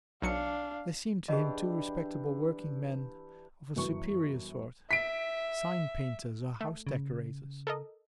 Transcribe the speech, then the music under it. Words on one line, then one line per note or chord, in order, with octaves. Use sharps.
They seemed to him two respectable working men of a superior sort--sign painters or house decorators.
B1 F#3 D4 F5 C#7
E3 D4 G4 G#4 D#5
G1 F#2 E3 B4 C#6
E5 B6 D7
A3
C#3
A4 A#4 D#5